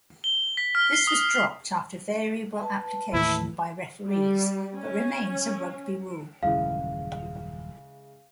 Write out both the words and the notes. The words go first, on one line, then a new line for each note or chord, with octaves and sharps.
This was dropped after variable application by referees, but remains a rugby rule.
G7
B6
F6
C7
D#6
B4 A5
D#2 A2 E3 E4
G3
C#4
D#1 F#2 C#3 E3 G#3 F5